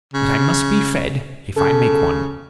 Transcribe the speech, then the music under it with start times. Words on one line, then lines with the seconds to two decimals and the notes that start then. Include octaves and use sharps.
"But I must be fed, if I make one."
0.14 C#3
1.57 C#3 A4